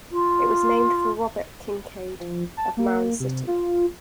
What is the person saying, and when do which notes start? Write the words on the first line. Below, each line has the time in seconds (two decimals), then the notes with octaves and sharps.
It was named for Robert Kincaid, of Mound City.
0.11 F4
2.20 F3
2.57 A5
2.77 A#3
3.20 C3
3.47 F4